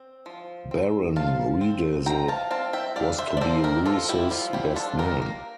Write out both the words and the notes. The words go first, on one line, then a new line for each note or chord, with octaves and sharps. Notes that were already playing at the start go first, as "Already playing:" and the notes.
Baron Riedesel was to be Louis's best man.
Already playing: C4
F3
C4
F3 F5 A5
C4
F3 G5 A#5
F5 A5
C4 F5 A5
E5 G5
D4 D5 F5
C5 E5
D5
A#3 A4 C5
G4 A#4
F3 F4 A4
E4 G4
F3 F4
E4 G4
D4 F4 A4
G4 A#4
A#3